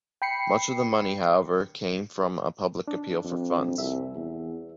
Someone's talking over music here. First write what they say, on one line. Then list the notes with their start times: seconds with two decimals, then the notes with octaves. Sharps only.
Much of the money, however, came from a public appeal for funds.
0.22 G5 B5 C7 C#7
2.88 D4
3.24 F2
3.78 C2 E5
4.16 E2